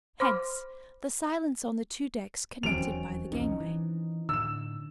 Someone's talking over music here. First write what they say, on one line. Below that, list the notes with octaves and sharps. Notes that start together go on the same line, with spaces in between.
Hence the silence on the two decks connected by the gangway.
C5 B5 C6 D6 F6
D#1 E2 D#3 F#3 C4 C#4 D7 F7
B1 E2 C#4 D#4
E3
A2 D3 E6 E7